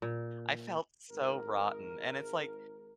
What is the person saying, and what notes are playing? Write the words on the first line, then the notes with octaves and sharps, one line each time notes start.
I felt so rotten. And it's like,
A#2
G#1 G#2 A#4